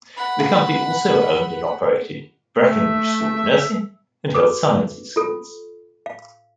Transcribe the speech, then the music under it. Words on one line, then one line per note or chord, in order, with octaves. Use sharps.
The company also owned and operated Breckinridge School of Nursing and Health Sciences schools.
F#5 B5
A3 E5
F#4 A4 B4 D6
F4 A4
F5